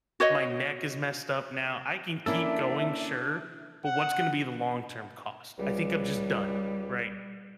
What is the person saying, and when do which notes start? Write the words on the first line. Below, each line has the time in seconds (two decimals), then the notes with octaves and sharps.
My neck is messed up now. I can keep going, sure, but what's gonna be the long-term cost? I think I'm just done," right?
0.20 F#4 C#5 D#5
2.26 A#3 C#4 D4 E4 A4 E5
3.85 F#5
5.58 C#2 G3